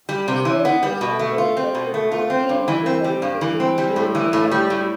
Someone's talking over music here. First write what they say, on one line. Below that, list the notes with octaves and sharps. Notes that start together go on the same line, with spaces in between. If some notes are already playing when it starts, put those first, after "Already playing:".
A story thus originated could not be other than sketchy and desultory.
G3
C3
E3
B3
G3
B2
A3
F4
C4
B2
A3
F4
C4
G2
E3
C4
G3
G2
E3
C4
G3
A2
E3
A2
G3
A2